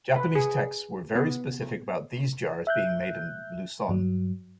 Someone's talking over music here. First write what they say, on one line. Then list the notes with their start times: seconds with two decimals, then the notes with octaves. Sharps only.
Japanese texts were very specific about these jars being made in Luzon.
0.16 B4
0.35 G#4
1.15 B3
2.67 E5 F#6 G6
3.89 G2 F#3